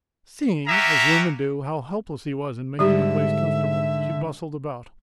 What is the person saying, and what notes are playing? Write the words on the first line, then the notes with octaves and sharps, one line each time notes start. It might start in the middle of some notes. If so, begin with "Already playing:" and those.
Seeing, as women do, how helpless he was in making the place comfortable, she bustled about.
F#4 G4 E5 F5 G#5 A#5
G#2 D3 G3 G4 E5